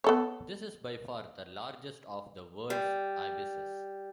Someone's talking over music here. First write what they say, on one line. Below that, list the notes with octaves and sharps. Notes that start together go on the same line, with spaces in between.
This is, by far, the largest of the world's ibises.
B3 A4 C#5
G3